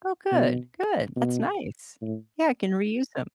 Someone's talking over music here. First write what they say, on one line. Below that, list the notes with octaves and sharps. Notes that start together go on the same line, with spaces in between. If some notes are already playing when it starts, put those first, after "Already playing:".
Oh, good good. That's nice. Yeah, I can reuse them.
B2
B2
A2